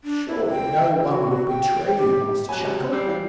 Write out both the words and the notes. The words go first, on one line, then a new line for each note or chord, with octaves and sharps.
"Surely no one would betray you, Master Shackle?"
D4
E4
G5
F#4
G5
G4
F#3 G#5 F#6
G#3 G4
G3 E6 G6 C7
E3 F4 C7